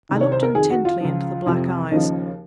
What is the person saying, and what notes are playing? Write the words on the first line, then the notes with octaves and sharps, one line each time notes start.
I looked intently into the black eyes.
C2 C3 D#3
C#5
C5
A#4
F2 D#3 G#4
F#4
F4
C#2 C#3 F3
F2 C3 F3
D#2 C#3 F3 D#4